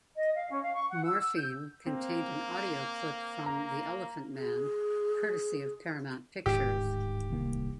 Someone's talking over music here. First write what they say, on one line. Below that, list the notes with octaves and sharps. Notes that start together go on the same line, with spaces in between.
"Morphine" contained an audio clip from "The Elephant Man", courtesy of Paramount Pictures.
D#5
F5
C#4
F5
C#6
F#5
E6
E6
G6
A#3 C4
A#3 A#5
G#4
D1 G#2 D#3 G4
C2 D#3 A#3